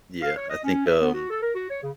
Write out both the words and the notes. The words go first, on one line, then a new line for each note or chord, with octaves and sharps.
Yeah, I think, um,
F5
C#5
D#5
C#4
E5
B3
F#4
A4
A#4
F#4
C#5
C#3